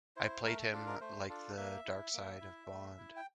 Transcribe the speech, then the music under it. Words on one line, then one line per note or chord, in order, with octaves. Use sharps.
I played him like the dark side of Bond.
E4 C5
A3 A#4
A4
D4 F4 A4
A#4
A3 C5
D4 F4 A4
A#3 E5
E4
A#3
E4
A3
E4
G5